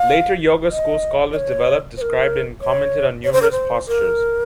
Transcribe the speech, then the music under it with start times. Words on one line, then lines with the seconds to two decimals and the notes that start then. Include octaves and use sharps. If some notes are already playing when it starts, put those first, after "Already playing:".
Later yoga school scholars developed, described and commented on numerous postures.
Already playing: F5
0.70 D#5
1.33 D#5
1.36 C#5
1.97 C5
2.01 A#4
2.61 C#5
3.24 C#5
3.32 C5
3.42 A#4
3.52 C5
3.88 A#4